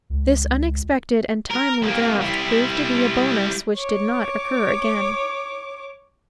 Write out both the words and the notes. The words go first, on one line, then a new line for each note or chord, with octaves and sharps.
This unexpected and timely draft proved to be a bonus, which did not occur again.
C#2
A#4
C2 A#3
G3 E4
C#5 D6